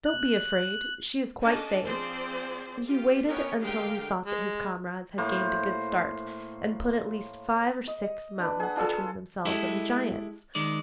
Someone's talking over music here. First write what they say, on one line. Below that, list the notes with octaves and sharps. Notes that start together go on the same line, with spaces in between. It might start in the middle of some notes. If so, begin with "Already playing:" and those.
'Don't be afraid; she is quite safe.' And he waited until he thought that his comrades had gained a good start, and put at least five or six mountains between themselves and the giants.
F#6
C#4 D4 A4 D#5 A5
F3 C4 G#4 C5 D5
F4 G4
B3 C#4 A#4 C#5 G5
D3 G#3 G4 A#4 F5 G5
G#3
A2 A#3 C5 D6
D#5
D4 B4
G#4 F#5
D4 F4 G#4 A4
G#3 E4 G4 A4
D#3 G#3 D5